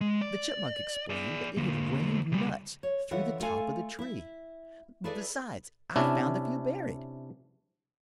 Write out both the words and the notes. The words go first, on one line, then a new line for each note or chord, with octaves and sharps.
The Chipmunk explained that it had rained nuts through the top of the tree--"Besides, I found a few buried!"
G#3
D5
G#4 D5
D3 A#3
C#2 G3
C#5
D3 E3 F4 C#5 E5 F#5
A3 F4 A4 F5 F#5 G#5
E4 E5
E4 G#4 A4 B4 D5 E5
C3 C#4 D4 E4